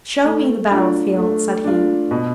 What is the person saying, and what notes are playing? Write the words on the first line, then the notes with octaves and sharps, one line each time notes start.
'Show me the battle-field,' said he.
A3
D4 F4
A3
D4 F4
B2